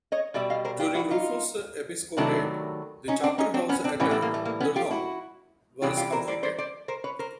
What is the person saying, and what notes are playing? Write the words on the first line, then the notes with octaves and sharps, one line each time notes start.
During Rufus' episcopate the chapterhouse at Durham was completed.
C#5 D#5
B2 G3 D5 E5
D#5 F5
A#4 C5
F4 G4
E4 F#4
D#4 F4
C3 D#3 F#3 A3 D4 E4
C#4 D#4
C4 D4
C#4 D#4
C4 D4
B3 C#4
C4 D4
A2 E3 G3 B3 C#4
A3 B3
A#3
A3
A#3
B3 C#4
F4 G4
E4 F#4
C3 E3 G3 F4 G4
F4 G4
A#4 C5
C5 D5
C5 D5
C5 D5
A#4 C5
B4 C#5
A#4 C5